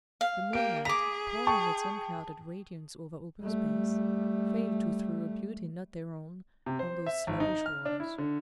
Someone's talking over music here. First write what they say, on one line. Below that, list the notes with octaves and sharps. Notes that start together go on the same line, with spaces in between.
The moonlight, pouring its unclouded radiance over open space, failed to throw a beauty not their own on those sluggish waters.
F5
A#3 G4 D7
G#4 A#5 D6 B6
G5 A5 C#6
G3 A3
C3
C5
E5
G#1
D#4
F6
D4
E4
D3